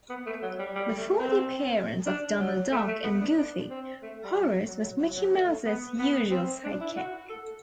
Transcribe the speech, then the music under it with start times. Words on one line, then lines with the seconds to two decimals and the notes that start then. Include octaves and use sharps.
Before the appearance of Donald Duck and Goofy, Horace was Mickey Mouse's usual sidekick.
0.09 B3
0.26 A3
0.42 F#3
0.59 G3
0.75 G3
0.97 A3
1.19 C4
2.06 D4
2.39 F#3
2.72 A3
2.88 A3
3.04 B3
3.20 D4
3.37 D4
3.70 C4
4.02 A3
4.24 G3
4.68 F#3
4.84 F#3
5.01 F#3
5.17 F#3
5.33 A3
5.65 B3
5.98 B3
6.31 C4
6.64 D4
6.81 E4
6.96 F#4
7.29 A4